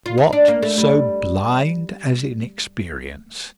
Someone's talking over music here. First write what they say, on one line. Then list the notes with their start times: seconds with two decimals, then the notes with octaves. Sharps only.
What so blind as inexperience?
0.06 F4
0.18 D#4
0.33 D4
0.48 A#3
0.63 A3
0.78 G3